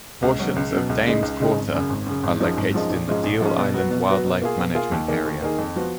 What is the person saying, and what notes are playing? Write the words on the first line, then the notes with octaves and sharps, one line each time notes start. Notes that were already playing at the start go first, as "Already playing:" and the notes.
Portions of Dames Quarter are located in the Deal Island Wildlife Management Area.
C#2
B2 F#3 C#4
C#2
B2 F#3 C#4
C#2
C#3 G#3 D#4
C#2
C#3 G#3 D#4
G#1
F#2 C#3
G#1
F#2 C#3
G#1
F#2 F3 G#3 D#4
G#1
F#2 F3 G#3 D#4
A#1
G#2 F3 G#3 C#4
A#1
G#2 F3 G#3 C#4
B2
F#3 B3 F#4
B2
F#3 B3 F#4
B2
A#3 F4 G#4
B2
A#3 F4 G#4
D#2
D#3 A#3 D#4 G#4
D#2
D#3 A#3 D#4 G#4
F2
F3 B3 F#4